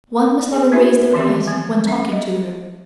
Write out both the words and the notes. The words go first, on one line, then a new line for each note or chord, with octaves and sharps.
One must never raise their eyes when talking to her.
G#4 G#5
B3 C#4 D#4 E4 F#4 E5
D#3 E3 C4 G4 E5
F3 B3 C4
C#4 E5
D#5